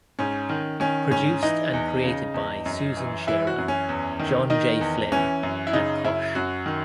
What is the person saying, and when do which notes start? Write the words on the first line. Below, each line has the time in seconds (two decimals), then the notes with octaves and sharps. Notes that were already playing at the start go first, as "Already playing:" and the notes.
Produced and created by Susan Shearer, John J. Flynn and Kosh.
0.19 G#2 C#4
0.50 D#3
0.80 D#3 C#4
1.11 G#2 C#4
1.43 E3 D#4
1.73 E2
2.04 C#3
2.34 E2
2.66 F#2
2.97 E3
3.27 E3 E4
3.47 F#4
3.58 F#2
3.68 C#4
3.89 E2
4.20 D#3
4.50 D#3 D#4
4.81 E2
5.12 E3 C#4
5.43 F#2
5.67 E4
5.73 C#3 D#4
6.04 F#2 E4
6.35 F#2 F#4
6.66 D#3